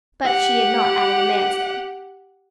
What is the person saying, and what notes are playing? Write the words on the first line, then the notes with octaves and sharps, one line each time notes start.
But she had not added the man's name.
G4 F#5